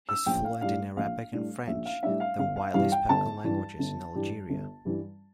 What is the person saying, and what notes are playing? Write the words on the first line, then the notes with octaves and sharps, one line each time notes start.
He is fluent in Arabic and French, the widely spoken languages in Algeria.
E6
A#1 G5
F5
A2 G3 D4 F5
A#1 F5
A2 G3 D4
A#1 E5
F5
A2 G3 D4 E5
F5
G1 F5
F5
G2 E3 G3 F5
G5
G1 A5
G2 E3 G3
G1
G2 E3 G3
G1
G2 E3 G3